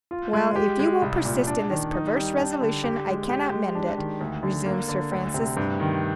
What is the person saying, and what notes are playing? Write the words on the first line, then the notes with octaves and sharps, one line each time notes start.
"Well, if you will persist in this perverse resolution, I cannot mend it," resumed Sir Francis.
F4
G#3
G4
G#3
C2
A#2
D4
D#3
D#4
G3
D4
D3
G4
G#3
G4
G#3
D4
D#3
D2
D3
A#3
D3
D2
C3
G2
D#3